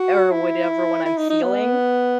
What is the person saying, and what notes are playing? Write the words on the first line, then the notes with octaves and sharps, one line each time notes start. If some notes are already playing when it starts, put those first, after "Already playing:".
or whatever when I'm feeling.
Already playing: F#4
E4
E4
D#4
D#4
B3